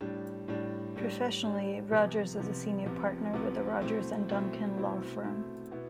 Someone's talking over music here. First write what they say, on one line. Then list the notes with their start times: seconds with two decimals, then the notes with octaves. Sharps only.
Professionally, Rogers is a senior partner with the Rogers and Duncan Law Firm.
0.01 A2 G3 D4
0.48 A2 G3 D4
0.96 A2 G3 D4
1.43 A2 G3 D4
1.91 C2 C3 F3 B3
2.39 C2 C3 F3 B3
2.86 C2 C3 F3 B3
3.34 C2 C3 F3 B3
3.81 B2 A3 C4 E4
4.29 B2 A3 C4 E4
4.76 B2 A3 C4 E4
5.24 B2 A3 C4 E4
5.71 B2 B3 E4